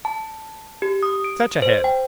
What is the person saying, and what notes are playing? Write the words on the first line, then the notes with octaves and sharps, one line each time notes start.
Such a head!
A5
G4
D#6
D7
C5
G5